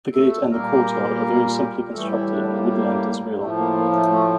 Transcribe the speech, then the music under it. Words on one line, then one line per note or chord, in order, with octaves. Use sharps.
The gate and the courtyard are very simply constructed and the woodland is real.
A3 A4
A#2 G3 A#3 A#4
A2 E3 G3 A3 A4
E3 E4
D3 D4
A#3
A#3
A2 F3 A3
A#3
A#3
A3
A3